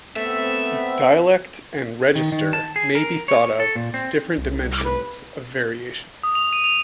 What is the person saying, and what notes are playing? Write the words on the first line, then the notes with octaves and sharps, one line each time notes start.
Dialect and register may be thought of as different dimensions of variation.
A3 B3 C4 E5
D#3
D#3
A5
G#4
A#4
C#5
A4
A#2
C4
C2
B4
D#6
F7
D#7
F7